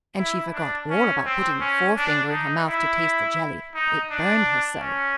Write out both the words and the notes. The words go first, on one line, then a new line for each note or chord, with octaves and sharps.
And she forgot all about putting the forefinger in her mouth to taste the jelly, it burned her so.
E4
D4
C#4
C4
C#4
D4
D#4
E4
D#4
D4
C#4